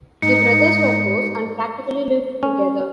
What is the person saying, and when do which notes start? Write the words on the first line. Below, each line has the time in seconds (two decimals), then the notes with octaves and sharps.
The brothers were close, and practically lived together.
0.22 G#2 D#4 C#7
2.43 C#4